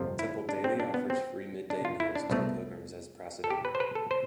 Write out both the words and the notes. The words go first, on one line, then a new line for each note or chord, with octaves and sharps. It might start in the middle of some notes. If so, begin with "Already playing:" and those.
Temple daily offers free mid day meals to the pilgrims as a prasadam.
Already playing: G1 F2 C3 F3
E4
D4
C4
D4
B3
C4
D4
F4
E4
D4
C2 B2 A3
A4
G4
B4
C5
B4
A4
C5